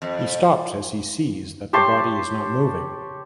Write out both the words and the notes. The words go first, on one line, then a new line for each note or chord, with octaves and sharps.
He stops as he sees that the body is not moving.
F2
G4 C#5 A5 C6